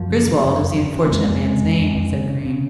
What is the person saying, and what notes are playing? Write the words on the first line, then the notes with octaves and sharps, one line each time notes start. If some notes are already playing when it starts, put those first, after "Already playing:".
"Griswold is the unfortunate man's name," said Green.
Already playing: F#2 F3
C#3
C#3
F#2
F2
C#3
C#3
A#3
F2 G#3
F2
G#3
C#3
F2
F2
F2
C#3
C#3
C#3